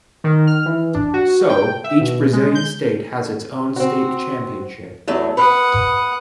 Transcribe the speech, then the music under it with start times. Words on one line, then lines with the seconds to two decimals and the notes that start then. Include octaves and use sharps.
So, each Brazilian state has its own state championship.
0.24 D#3
0.47 F6
0.66 E3
0.94 D4
1.13 F#4
1.49 G5
1.84 E5
2.01 B2
2.33 G#3
2.55 G6
3.76 C4 F#4
5.08 E2 F#3 A3
5.37 B4 F#5 D#6